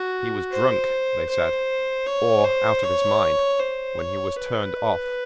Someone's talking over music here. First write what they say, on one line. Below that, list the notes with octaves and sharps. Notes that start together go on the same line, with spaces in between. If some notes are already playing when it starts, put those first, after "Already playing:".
He was drunk, they said, or out of his mind, when he was turned off.
Already playing: F#4
C5
C5
C#5
C5
C#5
C5
C#5
B4